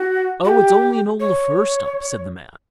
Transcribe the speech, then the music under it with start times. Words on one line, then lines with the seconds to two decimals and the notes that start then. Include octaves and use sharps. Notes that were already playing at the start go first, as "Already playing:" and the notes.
'Oh, it's only an old fir-stump', said the man.
Already playing: F#4
0.44 F#4
0.48 G4
1.20 C#5